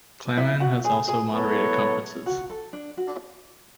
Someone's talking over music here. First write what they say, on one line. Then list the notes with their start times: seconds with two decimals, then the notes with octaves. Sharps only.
Claman has also moderated conferences.
0.37 E4 E5
0.60 F#4 F#5
0.84 G#4 G#5
1.08 G#4 G#5
1.32 F#3 B3 E4 A4 C#5
2.26 F#4 F#5
2.50 A4
2.73 D4
2.97 F#4